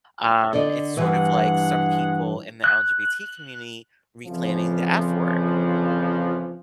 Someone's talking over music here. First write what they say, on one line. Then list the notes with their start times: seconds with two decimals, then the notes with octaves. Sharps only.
Um, it's sort of, like, some people in the LGBT community reclaiming the F word,
0.53 D3 D5 D#5
0.97 G2 E3 G#3 F#5
2.64 F#6
4.26 F2 C#3 E3 F3